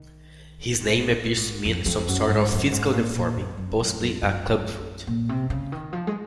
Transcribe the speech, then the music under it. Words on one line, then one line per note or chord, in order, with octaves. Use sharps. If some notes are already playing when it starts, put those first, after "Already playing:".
His name appears to mean some sort of physical deforming, possibly a clubfoot.
Already playing: D#3
C3
A#2
G#2
F2
F2
F#2
G#2
F#2
G#2
A#2
A#2
F#2
F#2
F#2
F#2
F#2
A#2
C3
C#3
D#3
F3
G#3